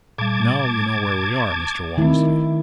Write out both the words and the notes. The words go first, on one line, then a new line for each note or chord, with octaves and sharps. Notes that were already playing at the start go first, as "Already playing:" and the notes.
Now you know where we are, Mr. Walmsley.
A#2 G3 A5 D6 G#6
D#3 A3 C4 E4